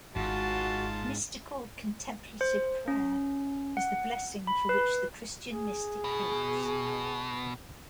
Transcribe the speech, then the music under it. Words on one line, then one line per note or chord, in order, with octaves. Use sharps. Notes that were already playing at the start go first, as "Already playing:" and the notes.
Mystical Contemplative Prayer is the blessing for which the Christian mystic hopes.
G#1 G#2 F4 F#4 A5
C5
C#4
F#5
B5
B4
G#4
B2